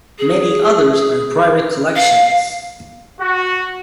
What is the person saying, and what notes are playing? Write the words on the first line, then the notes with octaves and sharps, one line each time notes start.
Many others are in private collections.
G#4
F5
F#4